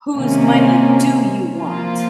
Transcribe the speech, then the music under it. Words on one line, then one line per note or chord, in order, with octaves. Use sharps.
Whose money do you want?
C3 D#3 A#3 C#4
F3 A#3 F4